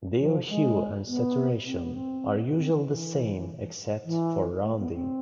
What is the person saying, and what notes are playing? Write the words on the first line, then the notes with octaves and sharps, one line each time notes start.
Their hue and saturation are usually the same except for rounding.
F3
G#3
B3
C4
B3
C4
C4
E3
E3
E3
A3
B3
C4